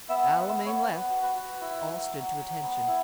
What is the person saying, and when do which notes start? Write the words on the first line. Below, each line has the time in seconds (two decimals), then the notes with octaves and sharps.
"A la main left." All stood to attention.
0.09 B3 E5
0.28 F#5
0.34 B3
0.47 E5
0.60 B3
0.66 C#5
0.85 B3 B4
1.10 F#4
1.23 B4
1.35 F#4
1.61 E4
1.86 F#3
2.12 F#3
2.37 F#3
2.63 B3
2.87 E4